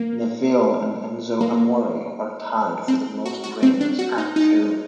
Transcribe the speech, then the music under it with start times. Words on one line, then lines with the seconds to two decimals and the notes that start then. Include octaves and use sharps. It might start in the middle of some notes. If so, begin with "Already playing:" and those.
Neville and Enzo Amore are tied for the most reigns at two.
Already playing: A#3
1.41 A#3
2.88 C4
3.25 F#4
3.44 F#4
3.63 C4
3.81 D4
3.99 F#4
4.18 D#4
4.36 D#4